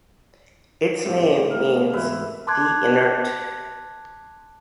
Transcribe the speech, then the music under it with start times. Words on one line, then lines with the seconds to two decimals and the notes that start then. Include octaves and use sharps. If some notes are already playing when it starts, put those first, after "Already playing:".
Its name means "the inert".
1.05 A2 C3
1.51 A#4 F5
1.93 G#2 E3 B4 E5
2.47 A5 C6 D6 F#6 G#6